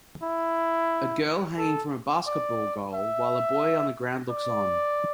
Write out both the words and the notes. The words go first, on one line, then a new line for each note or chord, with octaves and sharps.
A girl hanging from a basketball goal while a boy on the ground looks on.
E4
A4
D5
E5
D5